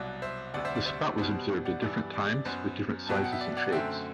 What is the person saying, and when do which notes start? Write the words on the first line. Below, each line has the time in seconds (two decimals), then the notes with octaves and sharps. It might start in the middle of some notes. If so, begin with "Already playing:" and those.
The spot was observed at different times with different sizes and shapes.
Already playing: C2 B2 F#3 D5
0.22 C5 E5
0.54 D2 C3 G3 D5 F#5
0.65 C5 E5
0.75 D5
0.86 C5 E5
1.18 B2 G3 B3 C5
1.65 D5 F#5
1.82 G2 E3 G3 B3 D5
2.13 D5
2.29 D5
2.45 F#2 F#3 B3 C5
3.07 B2 F#3 B3 A5
3.15 G5
3.24 F#5
3.32 E5
3.41 D5
3.57 D5 F#5
3.72 F#2 D3 A3 C4 E5 G5